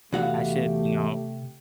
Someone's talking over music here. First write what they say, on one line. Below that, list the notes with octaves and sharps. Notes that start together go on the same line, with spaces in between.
I should," you know,
E2 C3 A3 F#4 G4 F5